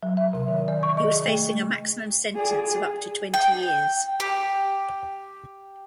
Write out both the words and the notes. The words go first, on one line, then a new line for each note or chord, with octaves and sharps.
He was facing a maximum sentence of up to twenty years.
F#3
E5
C3
D#3
D5
C#6
D#5
G#4
A3
G#4 D5
G#4
G5
G4